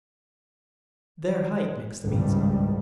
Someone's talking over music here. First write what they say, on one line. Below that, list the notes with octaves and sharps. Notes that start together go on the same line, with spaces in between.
Their height makes them easy.
G#1 C#2 G2 D#3 G3